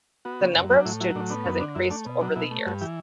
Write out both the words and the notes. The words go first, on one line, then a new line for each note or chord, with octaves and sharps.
The number of students has increased over the years.
B3 F#4
C#3
F#2
F#3
D4
A2 E4
F#3 E4
A2 D4
B3 D4
F#2 C#4
D3 D4
F#2 E4
A3 D4
B2
F#3 D4
B2 E4
A3
G2 F#4
E3 G4